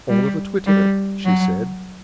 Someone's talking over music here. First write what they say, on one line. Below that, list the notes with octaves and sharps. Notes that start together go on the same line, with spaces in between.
"All of a twitter," she said.
G3
G3
F#3